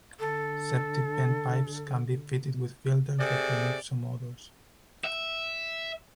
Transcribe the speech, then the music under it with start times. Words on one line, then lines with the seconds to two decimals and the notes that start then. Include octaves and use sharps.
Septic vent pipes can be fitted with filters that remove some odors.
0.20 D3 A4
3.19 C3 G#4 A4 D5
5.04 E5